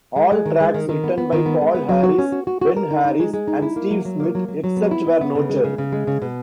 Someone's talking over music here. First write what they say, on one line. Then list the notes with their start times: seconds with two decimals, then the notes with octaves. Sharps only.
All tracks written by Paul Harris, Ben Harris, and Steve Smith, except where noted.
0.16 G#3
0.32 G#3
0.46 D#3
0.60 G#3
0.74 D#3
0.89 D#3
1.04 B3
1.18 B3
1.32 D#3
1.46 B3
1.61 G#3
1.74 B3
1.89 F#3
2.03 F#4
2.18 C#4
2.32 F#4
2.47 F#4
2.61 F#4
2.76 A#4
2.91 D#4
3.05 D#4
3.20 G#3
3.34 G#3
3.48 D#4
3.62 E4
3.76 A#3
3.91 F#3
4.05 F#3
4.20 A#3
4.35 F#3
4.48 F#3
4.64 F#3
4.77 B3
4.91 E4
5.06 B3
5.21 B3
5.35 C#3
5.50 G#3
5.64 C#3
5.78 C#3
5.92 G#3
6.07 C#3
6.22 B2